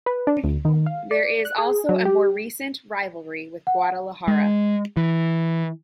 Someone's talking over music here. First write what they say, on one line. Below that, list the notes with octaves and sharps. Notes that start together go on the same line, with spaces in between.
There is also a more recent rivalry with Guadalajara.
B4
D4
D2
D#3
F5
D5
F#6
G#4
F#3
G4
F#5
G#3
E3